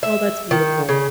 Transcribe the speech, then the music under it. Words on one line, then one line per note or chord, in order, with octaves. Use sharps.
Oh, that's beautiful.
E5
D#3
C#3